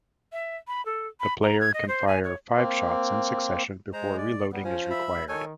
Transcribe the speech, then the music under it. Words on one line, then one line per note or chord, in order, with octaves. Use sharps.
The player can fire five shots in succession before reloading is required.
E5
B5
A4
B5
A#5
G#6
D#5
C5
G#5
C#5
A#3 C4
G#3 C5 A#5
D5
G3 B3
F3 C#4 G#5
E5 B5
D#3 A4 C#5 G#5